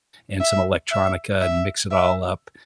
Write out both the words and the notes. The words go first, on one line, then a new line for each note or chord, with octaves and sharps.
and some electronica and mix it all up.
E5
E5
E5
E5